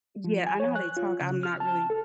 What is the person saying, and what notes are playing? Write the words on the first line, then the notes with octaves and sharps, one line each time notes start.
Yeah, I know how they talk, I'm not really
F3
G#5
C#5
F#6
F4
C#3
F6
A5
A4